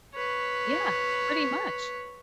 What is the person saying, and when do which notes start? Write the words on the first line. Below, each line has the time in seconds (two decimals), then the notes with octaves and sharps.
Yeah, pretty much.
0.15 B4 C#5